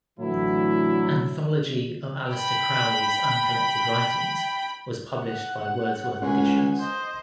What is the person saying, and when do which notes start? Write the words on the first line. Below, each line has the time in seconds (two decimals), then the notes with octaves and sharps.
Anthology of Aleister Crowley's uncollected writings was published by Wordsworth Editions.
0.19 A2 D3 E3 F#3 A3 E4
2.31 G5 B5
5.14 F#5
6.22 C#2 F#5 G#5
6.79 C5 D#5